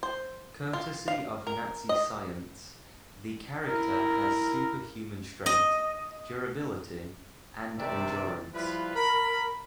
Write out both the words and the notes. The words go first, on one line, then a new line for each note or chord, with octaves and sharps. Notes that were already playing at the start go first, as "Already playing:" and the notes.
Courtesy of Nazi science, the character has superhuman strength, durability, and endurance.
C5
F4
F5
A#4
D#5
E4 A#4
D#5
G2 C3 D#3 D4 D5 E5
F3 G3 E4 F4 B4
A#4 B5